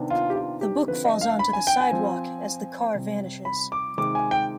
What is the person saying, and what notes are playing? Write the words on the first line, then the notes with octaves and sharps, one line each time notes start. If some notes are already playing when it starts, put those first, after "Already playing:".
The book falls onto the sidewalk as the car vanishes.
Already playing: C3 D#3 B3 D4
F4
G4
F4
G4
D3 F3 C4 B4
D#5
F5
B5
G#5
G5
G#5
F3 C4
C3 G3 C4
B5
D6
C3 D#3 G#3 D6
G#5
G5